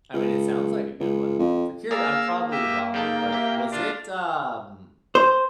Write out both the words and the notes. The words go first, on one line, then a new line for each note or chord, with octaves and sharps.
I mean, it sounds like a good one. For curi I'm probably wrong, but was it, um,
C#2
C#2
F2
A#3 G#4 A#4 D5 F5 E6
G4 D#5 E5
C#3 D#4 A4 G5
G4 E5
D4 F4 D5
C5